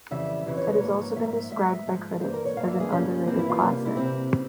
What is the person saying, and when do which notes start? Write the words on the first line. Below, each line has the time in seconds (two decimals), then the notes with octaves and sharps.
It has also been described by critics as an "underrated classic".
0.11 F2 C#3 E3 G3 E5
0.46 F2 C#3 E3 G3
0.57 C#5
0.69 C#5
0.80 G#2 F3 A#3
1.16 G#2 F3 A#3 E5
1.33 E5
1.51 G#2 F3 G#3 E5
1.86 G#2 F3 G#3
2.21 G2 E3 A#3 C5
2.34 A#4
2.45 C#5
2.56 G2 E3 A#3 F5
2.68 E5
2.80 G#4
2.91 G2 E3 G3 A#3 C#4
3.26 G2 E3 G3 A#3 C4
3.39 E4
3.50 F4
3.61 C3 G3 A#3 C#4
3.86 E4
3.96 C3 G3 A#3 C4
4.33 C#3